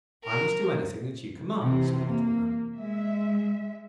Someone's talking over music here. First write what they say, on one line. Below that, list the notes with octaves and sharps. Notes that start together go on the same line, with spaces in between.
'I must do anything that you command,' said the Little Man.
A#4
C3 E3 C4
A#3
G#3 E5